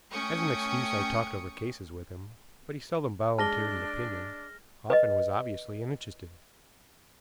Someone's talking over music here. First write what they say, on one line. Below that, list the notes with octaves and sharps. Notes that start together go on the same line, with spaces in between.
As an excuse I talked over cases with him, but he seldom volunteered an opinion, often was obviously uninterested.
A3 C#4 G5 C#6 D#6 C#7
G#3 D4 A5 F6 A#6 G7
B4 D#5